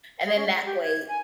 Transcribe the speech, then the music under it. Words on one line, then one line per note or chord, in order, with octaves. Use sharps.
and then, that way,
G#4
C#4
F#5
G4
G#6
G#5